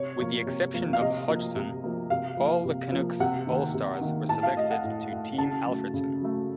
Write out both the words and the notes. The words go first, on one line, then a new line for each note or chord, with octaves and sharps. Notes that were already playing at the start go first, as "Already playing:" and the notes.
With the exception of Hodgson, all the Canucks All-Stars were selected to Team Alfredsson.
Already playing: C3 C#5
F3 A#3
C3
F3 A#3
F5
C3 D#5
F3 A#3
C3
F3 A#3
C3 F5
F3 A#3
C3
F3 A#3
C3 F#5
D#3 A#3
C3
D#3 A#3
A2 A5
F5
A3 D#5
F#5
A2
A3
C#3 A5
F#3 A3
C#3
F#3 A3